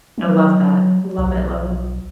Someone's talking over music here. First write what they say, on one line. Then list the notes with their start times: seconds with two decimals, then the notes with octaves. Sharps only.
I love that, love it, love it.
0.18 F#3
1.18 B1